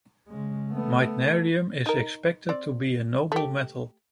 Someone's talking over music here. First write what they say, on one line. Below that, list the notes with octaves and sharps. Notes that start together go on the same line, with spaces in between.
Meitnerium is expected to be a noble metal.
C#3 G#3
A3 B3
D#4 A#4
C4 D5
A3 G4